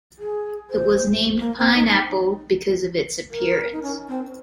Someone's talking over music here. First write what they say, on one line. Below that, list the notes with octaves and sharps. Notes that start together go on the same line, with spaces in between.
It was named "Pineapple" because of its appearance.
G#4
C5
A#3
C4
D#4
D#4
A#4
D#4
C#4
C4